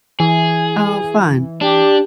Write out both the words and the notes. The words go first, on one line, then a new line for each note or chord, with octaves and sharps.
Oh, fun.
E3 G#4
D4 G4